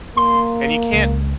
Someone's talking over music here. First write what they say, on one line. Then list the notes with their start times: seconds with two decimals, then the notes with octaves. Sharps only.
And you can't
0.17 A#3 C6
0.92 C#2